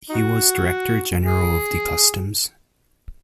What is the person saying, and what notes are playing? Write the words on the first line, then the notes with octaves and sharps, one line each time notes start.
He was Director general of the customs.
D#4 F#4
G#4